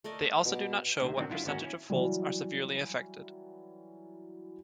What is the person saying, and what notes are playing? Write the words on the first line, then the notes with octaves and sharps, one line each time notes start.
They also do not show what percentage of Folds are severely affected.
A3 A#4 D5 D#5
B2 G4 D6
D2 C3 D#3 C5
A2 C3 D#3 F#3 C4 D4
F#2 D3 E4 F4
G#1 D#2 D#3 C#4 F#4 A#5
C#4 E4
E3 F#3 G3